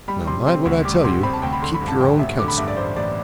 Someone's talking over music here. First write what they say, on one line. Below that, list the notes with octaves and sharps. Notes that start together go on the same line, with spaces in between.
Now, mind what I tell you, and keep your own counsel.'
G3 B5
C3 C6
C4 C6
D2
G3 D6
C3 C6
C4 B5
A5
D2 G5
B5
D3 C6
B5
G2
A5
A1 G5
A1 E5
D3 D6
B5
G2 E5
D5
A1 C5
A1 D5